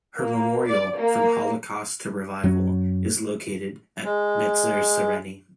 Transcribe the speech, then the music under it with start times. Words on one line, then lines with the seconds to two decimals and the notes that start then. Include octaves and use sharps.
Her memorial "From Holocaust to Revival" is located at Netzer Sereni.
0.17 A#3
0.66 D5
0.97 A#3
2.44 F#2 F#3 C#4
4.05 G#3